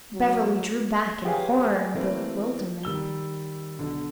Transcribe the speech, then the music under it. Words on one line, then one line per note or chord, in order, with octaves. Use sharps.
Beverly drew back in horror and bewilderment.
F#3
G4 G#4 B4 C#5 F5 G#5
E3 A3 A#3 C4
D#3 G3 E6 G7
B1 D3